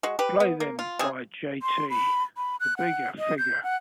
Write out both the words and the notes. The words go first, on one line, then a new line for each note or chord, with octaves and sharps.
Play them by Jt The Bigga Figga.
G#3 F#4
G4 B4
B3
A#3
F4
C3 G#4
C6
B5
B5
F#6
F#5
D#5
G6
F#5